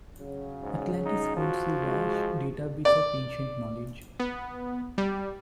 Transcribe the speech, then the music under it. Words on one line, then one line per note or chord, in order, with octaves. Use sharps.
Atlantis holds a vast database of Ancient knowledge.
C#3 F#3
G#2
D#4
F3 F#4
G#3
D5
B3
G3